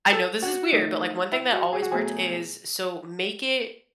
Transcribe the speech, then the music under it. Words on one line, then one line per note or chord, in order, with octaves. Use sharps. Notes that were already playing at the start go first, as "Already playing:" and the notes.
I know this is weird, but, like, one thing that always worked is so make it
A4
F#4
D#3 A3
E4
F#4
G#4
F#4
B2 F#3 A3 G#4